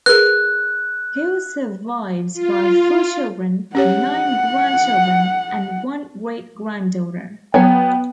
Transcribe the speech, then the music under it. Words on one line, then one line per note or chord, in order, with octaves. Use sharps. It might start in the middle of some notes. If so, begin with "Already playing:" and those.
He was survived by four children, nine grandchildren and one great-granddaughter.
G#4 A#4 B4 F#6
F4
C#4 G4 C#5 F#5
F#3 B3 C#5 G5 G#5